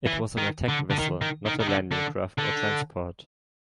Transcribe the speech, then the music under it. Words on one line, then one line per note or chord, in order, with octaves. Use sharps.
It was an attack vessel, not a landing craft or transport.
E3
D#3
D3
D3
D#3
D#3
D#3
D#3
D3
D3
D3